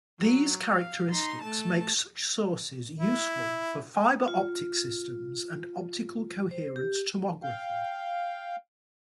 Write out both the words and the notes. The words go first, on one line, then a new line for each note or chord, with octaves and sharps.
These characteristics make such sources useful for fiber optic systems and optical coherence tomography.
F#3
F5
D#4 C6
A3 A5
E4
F4
C5
G4
F5 G5